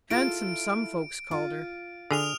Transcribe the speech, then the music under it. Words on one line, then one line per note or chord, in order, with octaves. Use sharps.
Handsome, some folks called her.
E4 F4 A4 D7
F4
D3 G#4 D#6 F6 F7